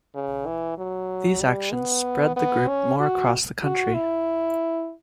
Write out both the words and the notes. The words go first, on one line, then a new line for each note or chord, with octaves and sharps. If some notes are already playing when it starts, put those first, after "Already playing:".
These actions spread the group more across the country.
C#3
E3
F#3
G3
B3
B3
C#4
F#4
F#4
E4